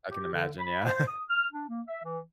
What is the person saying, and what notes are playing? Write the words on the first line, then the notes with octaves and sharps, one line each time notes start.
I can imagine, yeah.
G4
D3
B5
C5
D#6
F6
D4
A#3
E5
E3